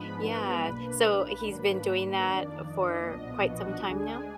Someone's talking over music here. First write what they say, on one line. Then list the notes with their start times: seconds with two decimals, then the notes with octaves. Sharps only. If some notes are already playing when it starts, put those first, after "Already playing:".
Yeah. So he's been doing that for quite some time now?
Already playing: G#2 F3 G#3 B3 D4 B4 B5
0.27 B4 B5
0.67 B1 B2 A#3 D4
1.48 G#2 D#3 A#3 D4 B4 B5
2.28 F2 D#3 A#3 D4 D5
2.70 D#5
3.09 B1 A#2 F3 B3 D4 D#5
3.50 F#4 F#5
3.90 D2 D3 G#3 D4 G#4 G#5